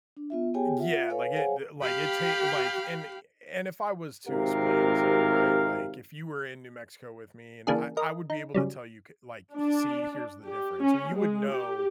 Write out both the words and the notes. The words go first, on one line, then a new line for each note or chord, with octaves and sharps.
Yeah, like it, th like it ta like, and and if I was to explain to you, right, like, if you were in New Mexico with me, and I I would be able to tell you, c like, "See, here's the difference." Or you would know,
D4
B3 F4 E5
B3 G4 G#4 C#5 G5 G#5
F4 E5 F#5
A4 B4 C#5 F5 G#5
G#4 C5 C#5 F5 F#5 G#5
G4 F5 G5 B5
G#1 C3 G4 A#4 F5
C#3 E3 A#3 D4 G#4
A#4 D#5
D#4
C#3 F#3 G3
D4
G4
C#4
G#3
G4